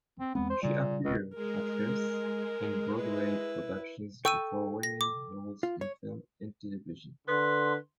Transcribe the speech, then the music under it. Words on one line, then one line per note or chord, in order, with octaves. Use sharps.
She appeared at first in Broadway productions before winning roles in film and television.
C4
E2 G#3 B3 C4
C5
A#2 C#3 G3
D1 C#2 G#3
G#3 A#4
E4 B4
A4 G5 C#6 E6 D#7
A#6
D6
F4
C#5
D3 B4 C6